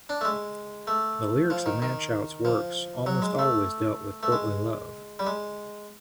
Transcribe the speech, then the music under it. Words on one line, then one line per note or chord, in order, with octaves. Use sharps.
The lyrics of Machaut's works almost always dealt with courtly love.
D4
A3
G#3
A3
F3
D#3
D#3
F3
F#3
G#3
A3
A3
G#3
G3
G#3